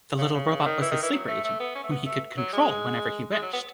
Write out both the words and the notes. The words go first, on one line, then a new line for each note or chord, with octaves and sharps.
The little robot was his sleeper agent, whom he could control whenever he wished.
C#3
C#3
C#3
D#3
E3
D#3
E3
F#3
A3
A3
B3
C#4
A3
B3
A3
F#3
G#3
G#3
F#3
B3